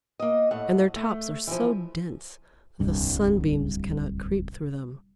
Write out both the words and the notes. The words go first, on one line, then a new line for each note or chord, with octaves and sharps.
And their tops are so dense that the sunbeams cannot creep through them.
A#3 D#5
A2 A3 F#5
A3
E3 F3
D1 C2 G2